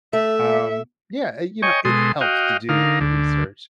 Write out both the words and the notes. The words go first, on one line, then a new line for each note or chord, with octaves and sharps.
um, yeah, eh, you know, it helps to do the research.
A3 E5
C#5 D#5 G5 G#5 C#6
B2 G#3 A4 C6 D#6
F#4 D#5 F5 G5
D3 D#4 A#4 F5
D2 D3